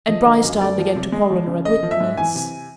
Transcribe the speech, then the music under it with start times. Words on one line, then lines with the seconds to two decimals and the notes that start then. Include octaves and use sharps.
And Bryce turned again to Coroner and witness.
0.08 F3 D#5
0.25 D3
0.43 F#2
0.61 A3 D5
0.78 F3
0.95 C3
1.12 G#3
1.30 F3
1.47 C#3
1.65 A3 D#5
1.83 F3
1.91 E5
2.00 G#2
2.18 E3 G#5
2.35 C3